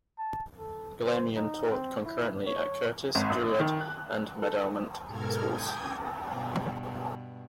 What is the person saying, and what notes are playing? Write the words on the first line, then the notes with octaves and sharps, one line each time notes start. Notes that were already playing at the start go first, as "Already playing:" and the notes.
Galamian taught concurrently at Curtis, Juilliard, and Meadowmount schools.
A5
A4
C5
D#4
C4
E4
C#5
G#1
A#1
D#3
F#6
A4
G#2 B2 A4 A#4 F6 G#6
G5 G#5 D#6 G6 G#6
G2 B2